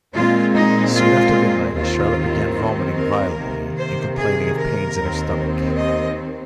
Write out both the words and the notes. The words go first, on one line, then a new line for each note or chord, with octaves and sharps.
Soon after midnight, Charlotte began vomiting violently and complaining of pains in her stomach.
A#2 G#3 C4 F4
D#4
F4
D#2 D#3 C4 F4
A#4
C3 D#3 A#3
C5
G#4
A#4
D#2 D#3 C4
D#5